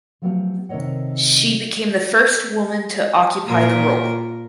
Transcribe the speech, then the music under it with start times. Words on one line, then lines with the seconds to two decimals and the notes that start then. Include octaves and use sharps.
She became the first woman to occupy the role.
0.22 F3 F#3 A3 B3 G4 F5
0.69 C3 D#3 A4 C#5 D#5 F#5
3.46 A#2 F4 A#4